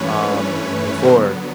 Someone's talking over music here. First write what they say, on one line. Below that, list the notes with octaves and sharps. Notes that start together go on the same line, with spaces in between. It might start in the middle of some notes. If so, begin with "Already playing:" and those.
um, before,
Already playing: G2 E3 A3 C#4 B4 C#5
D3 F#3 B3 A#4 C5